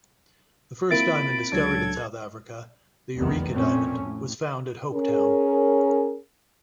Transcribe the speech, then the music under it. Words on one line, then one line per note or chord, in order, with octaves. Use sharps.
The first diamond discovered in South Africa, the Eureka Diamond, was found at Hopetown.
A#3 C4 E4 F4 B5 A6 D7
C#2 F#3 D4 A4 G#6
F1 B1 E2 D#3 B3
F2 A#2 A3 C4 C#4
A2
C#4 G#4 A#4